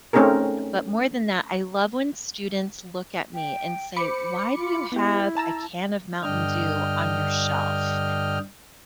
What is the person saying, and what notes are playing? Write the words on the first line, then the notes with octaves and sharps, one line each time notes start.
but more than that, I love when students look at me and say, "Why do you have a can of Mountain Dew on your shelf?"
A3 C4 C#4 D#4 G#4 A#4
G5
C5 B5 D6 C#7
F4
B3 E4 G4
A5 A#5 E6
G2 D3 D4 D#5 G5 F6